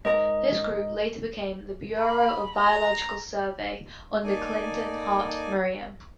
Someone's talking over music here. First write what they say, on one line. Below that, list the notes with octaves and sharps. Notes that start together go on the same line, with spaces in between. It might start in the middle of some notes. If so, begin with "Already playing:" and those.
This group later became the Bureau of Biological Survey under Clinton Hart Merriam.
G#2 A#4 D#5 A#5
B5
A#5
A#3 D#4 A4 D5 G#5